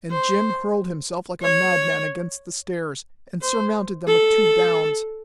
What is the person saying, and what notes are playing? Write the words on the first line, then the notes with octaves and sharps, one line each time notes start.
And Jim hurled himself like a madman against the stairs, and surmounted them with two bounds.
C5
C#5
C5
A4